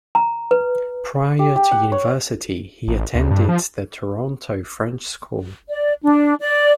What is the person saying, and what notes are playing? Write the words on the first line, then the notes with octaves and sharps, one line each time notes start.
Prior to university, he attended the Toronto French School.
A#5
B4
G4
G4
F#5
C#5
A1
D2
G2
F3
D5
D4
D5